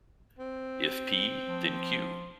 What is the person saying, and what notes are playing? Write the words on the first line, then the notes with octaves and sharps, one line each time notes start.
If P then Q.
C4
F3